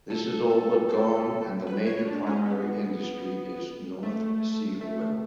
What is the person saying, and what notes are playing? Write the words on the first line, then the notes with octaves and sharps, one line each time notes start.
This is all but gone and the major primary industry is North Sea oil.
A4
A4
A4
B4
C#5
D4
C#4
B3
A3
A3